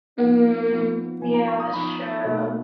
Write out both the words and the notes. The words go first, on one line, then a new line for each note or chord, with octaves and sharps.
Mm, yeah, that's true,
F3 B3 D#4 F#5
F3 B3 D#4
F3 B3 D#4 G#5
A#5
C#6
D#6
F3 B3 D#4 B5
B2 A#3 D#4